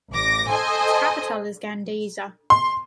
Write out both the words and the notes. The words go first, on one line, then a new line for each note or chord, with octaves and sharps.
Its capital is Gandesa.
A1 D6 A#6
A4 C5 D#5 G#5
C6